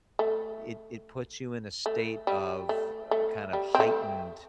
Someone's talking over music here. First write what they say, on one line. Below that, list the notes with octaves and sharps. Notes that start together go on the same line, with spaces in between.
it it puts you in a state of, uh, kind of heightened
A3
A3
G3
A3
A3
G3
C4
A3